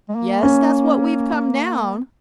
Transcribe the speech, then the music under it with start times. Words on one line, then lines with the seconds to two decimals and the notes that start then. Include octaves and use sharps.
"Yes; that's what we've come down."
0.09 G#3
0.15 A#3
0.43 C#4